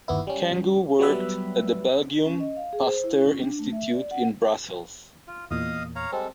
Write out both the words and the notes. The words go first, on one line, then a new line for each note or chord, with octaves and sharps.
Gengou worked at the Belgium Pasteur Institute in Brussels.
G1 D#2 B3 E4
G3 C#4
F#3 G3 B3 G4 B4 E5
C#4
D#5
F5
G#4
C5
E4
C#4
D4
A3
E5
D5
F#5
F4
E2 A#2 D#5 F5 D#6
C#5 F5 A#5
G3 G#3 C4 A4